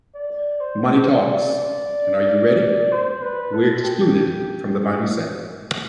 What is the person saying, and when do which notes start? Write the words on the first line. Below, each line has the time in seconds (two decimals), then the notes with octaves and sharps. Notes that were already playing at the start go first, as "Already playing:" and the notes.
"Moneytalks" and "Are You Ready" were excluded from the vinyl set.
0.15 D5
0.60 C5
1.07 D5
2.92 C5
3.22 B4
3.53 A4
3.84 G4